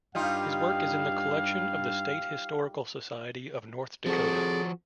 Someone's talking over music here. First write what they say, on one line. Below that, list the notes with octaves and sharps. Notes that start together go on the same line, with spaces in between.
His work is in the collection of the State Historical Society of North Dakota.
G2 G3 D#4 F4 F5
F3 C4 F#4 G#4 A4 D5